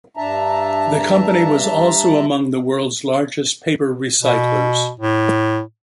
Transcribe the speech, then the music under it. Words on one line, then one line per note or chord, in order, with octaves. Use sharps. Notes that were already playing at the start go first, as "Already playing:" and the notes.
The company was also among the world's largest paper recyclers.
G2 D4 E5 A5 A#5
B2
A2